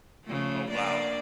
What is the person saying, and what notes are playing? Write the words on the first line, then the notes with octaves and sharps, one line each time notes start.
Oh, wow.
C#3 F3 A3
A#3 D4 D5